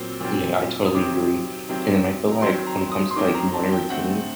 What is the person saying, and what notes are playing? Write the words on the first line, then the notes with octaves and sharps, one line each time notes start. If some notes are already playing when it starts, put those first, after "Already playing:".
Yeah, I totally agree. And then I feel like when it comes to, like, morning routines,
Already playing: A#2 F#3 C4
A#2 F#3 C4
D#6
C3 D#3 F#3 C4 D6
C3 D#3 F#3 C4
A#5
D#3 F#3 C4 C6
A#5
D#6
C6
D#3 F#3 C4 D6
A#5
A5
G5
D3 A3 C4 F#5